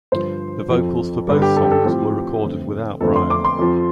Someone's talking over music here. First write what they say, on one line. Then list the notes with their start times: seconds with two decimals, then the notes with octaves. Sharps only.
The vocals for both songs were recorded without Brian.
0.12 G2 D3 F3 C5
0.70 F2 F3 C4
1.28 G2 D3 G3
1.42 G4
1.56 A4
1.64 G4
1.71 A4
1.85 A2 F3 C4 G4
2.43 F2 D3 A3 C4
3.01 F2 D3 A3 C4 A4
3.16 C6
3.30 D6
3.45 C6
3.59 F2 F3 C4